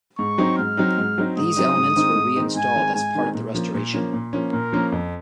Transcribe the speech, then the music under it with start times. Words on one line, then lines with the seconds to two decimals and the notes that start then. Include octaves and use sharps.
These elements were reinstalled as part of the restoration.
0.18 G#2 C#6
0.38 F#3 C4 D#4
0.58 G#2 F6
0.77 F#3 C4 D#4
0.98 G#2
1.18 F#3 C4 D#4
1.37 G#2 D#6
1.57 F#3 C4 D#4
1.77 G#2
1.96 D#3 G#3 C4 D#4
2.16 G#2
2.36 D#3 G#3 C4 D#4
2.55 G#2 G#5
2.75 D#3 G#3 C4 D#4
2.95 G#2 G#5
3.15 D#3 G#3 C4 D#4
3.34 A#2
3.54 F3 A#3 C#4
3.74 A#2
3.94 F3 A#3 C#4
4.13 A#2
4.33 F3 A#3 C#4
4.53 A#2 A#4
4.72 F3 A#3 C#4
4.92 F2